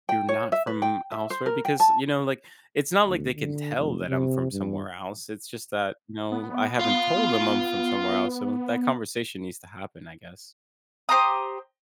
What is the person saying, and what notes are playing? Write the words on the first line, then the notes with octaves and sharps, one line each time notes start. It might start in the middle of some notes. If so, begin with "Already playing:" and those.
you're not from elsewhere because, you know, like, it's not like they can tell that I'm from somewhere else, it's just that, no, I haven't told them I'm from somewhere else, so that conversation needs to happen, I guess.
G5
C#5
E5
B4
G5
E5
C5
A#4
G5
A5
D2
D3
F1
C3
G2
B3
F4 F5
G4 C5 A#5 D#6